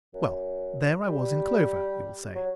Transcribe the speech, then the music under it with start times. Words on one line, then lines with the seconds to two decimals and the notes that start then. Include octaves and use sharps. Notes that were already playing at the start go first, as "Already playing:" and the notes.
Well, there I was in clover, you will say.
0.14 F#2
1.08 G3
2.35 F#3